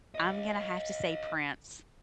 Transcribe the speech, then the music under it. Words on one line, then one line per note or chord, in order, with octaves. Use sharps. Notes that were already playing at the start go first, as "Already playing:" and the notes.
I'm gonna have to say Prince.
C#5 D#5